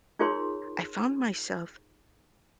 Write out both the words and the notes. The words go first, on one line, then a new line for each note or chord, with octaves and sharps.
I found myself
D#4 F4 G#4 A#4 C#5 C6